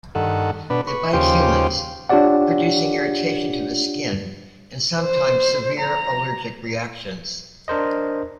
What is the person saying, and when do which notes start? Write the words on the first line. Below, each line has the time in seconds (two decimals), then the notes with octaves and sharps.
They bite humans, producing irritation to the skin and sometimes severe allergic reactions.
0.15 G2 D#3 A4 F#5
0.70 B2 D4 B4
0.87 B4 C#6
1.13 D#2 C#3 F4 G4 C5 G5
2.09 D4 F4 G4 C#5 D5 F#5
5.00 C5
5.80 A#5
7.68 D4 A#4 C5 D#5